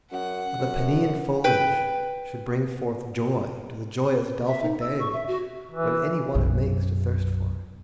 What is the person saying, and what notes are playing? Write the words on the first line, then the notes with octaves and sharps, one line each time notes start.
That the Peneian foliage should bring forth Joy to the joyous Delphic deity, When any one it makes to thirst for it.
F#2 F#5
F#2
B4 G5
E5
D#4
E6
C#6
E5
F#4
E3
B1 F#2